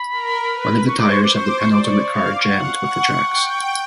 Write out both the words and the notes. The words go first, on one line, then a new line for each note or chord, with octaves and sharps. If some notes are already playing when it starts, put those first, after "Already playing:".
One of the tires of the penultimate car jammed with the tracks.
Already playing: B5
A#4
B4
C5 C#6
D6
C#6
C5 D6
C#6
D6
C#6
D5
D6
C#6
F5
D6
F#5 C#6
F#5
G5